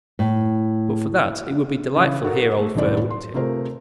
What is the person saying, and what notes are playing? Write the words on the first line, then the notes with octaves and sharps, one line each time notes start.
"But for that, it would be delightful here, old Fir, wouldn't it?"
A2
C#3 E3
F#4 A4 A#4
A3
D#1 C2 F#2 A2 D5
C6
C3 A3 F4 G#4 A#4 C5